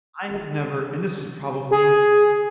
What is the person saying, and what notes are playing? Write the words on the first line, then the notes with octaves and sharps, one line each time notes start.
I have never, and this was probably
G#4